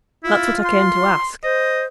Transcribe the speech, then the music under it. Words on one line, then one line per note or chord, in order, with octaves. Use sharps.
That's what I came to ask.'
E4 F4
C6
C5 D#5